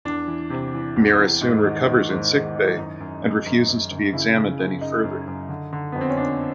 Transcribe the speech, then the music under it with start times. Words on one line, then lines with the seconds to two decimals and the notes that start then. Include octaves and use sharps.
Mira soon recovers in sickbay and refuses to be examined any further.
0.05 E2 D4
0.28 E3
0.50 C3
0.74 E3
0.96 E2
1.19 E2
1.41 G#2
1.64 D#3
1.86 D#3
2.09 G#2
2.32 D#3
2.55 D#3
2.77 F#2 D#4
3.01 F#2
3.23 F#2
3.46 F#2
3.69 F#2
3.91 F#2
4.13 C#3 E4
4.37 C#3
4.59 F#2
4.81 F#2 D#4
5.04 F#2
5.27 F#2
5.49 D3
5.73 D3
5.92 F2 B3
6.01 C4
6.10 C#4
6.17 F2 D4